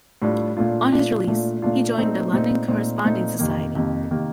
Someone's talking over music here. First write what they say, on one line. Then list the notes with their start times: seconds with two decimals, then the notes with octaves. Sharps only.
On his release he joined the London Corresponding Society.
0.22 A2 G3 D4 F4
0.57 A#2 A3 D4 F4
0.92 A#2 A3 D4 F4
1.27 A#2 A3 D4 F4
1.62 A#2 A3 D4 F4
1.98 A#2 A3 C4 D#4
2.33 A#2 A3 C4 D#4
2.68 A#2 A3 C4 D#4
3.04 A#2 A3 C4 D#4
3.39 F2 C3 D#3 A#3
3.75 F2 C3 D#3 A#3
4.11 C3 D#3 A#3